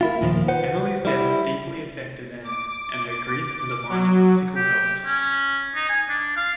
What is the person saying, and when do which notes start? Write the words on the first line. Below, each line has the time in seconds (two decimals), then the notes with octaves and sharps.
Emily's death deeply affected Anne, and her grief undermined her physical health.
0.01 A#3 E4 F4
0.21 D#2 A#2 D#3 F3
0.48 B4 C5 F#5
1.05 G3 E4
2.44 D6
3.89 F#3
4.56 G4
5.05 C#4
5.75 D#4
5.89 G#5
6.09 D4
6.36 F5